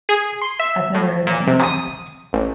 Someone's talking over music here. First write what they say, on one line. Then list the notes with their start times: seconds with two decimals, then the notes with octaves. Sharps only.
I've never heard that name.
0.09 G#4
0.42 C6
0.59 E5
0.95 A2
1.27 A#2
1.47 C3
1.63 D#6
2.33 A1